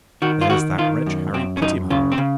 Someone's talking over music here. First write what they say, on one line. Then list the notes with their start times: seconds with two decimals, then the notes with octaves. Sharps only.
There's that wretch Harry Prettyman.
0.22 D#3 F#4
0.41 F4
0.50 D#3 F#4
0.78 D#3 F4
1.06 F#2
1.34 F#2 C4
1.57 C#4
1.62 F#2 D#4
1.90 C#3 F4
2.12 C4
2.18 C#3